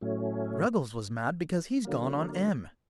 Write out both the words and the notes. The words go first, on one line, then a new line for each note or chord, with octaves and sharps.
Ruggles was mad because he's gone on Em.
A2 F#3 A3 C#4
D3 F#3 A#3